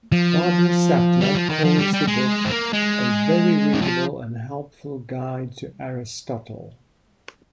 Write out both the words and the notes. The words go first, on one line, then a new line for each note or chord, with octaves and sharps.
Barbara Sattler calls the book "a very readable and helpful guide to Aristotle".
F3
G3
F3
D#3
F3
G3
G3
G#3
C4
A#3
G#3
D#3
F3